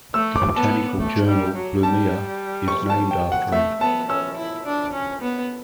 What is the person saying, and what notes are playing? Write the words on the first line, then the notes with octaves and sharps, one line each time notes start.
The botanical journal "Blumea" is named after him.
A3 E6
D6
B3 A5
A3
G3
F#3
G3 A5
C#6
A5
G5
F#5
A3 E5
B3 A5
C#4 E6
E4
D4
C#4
B3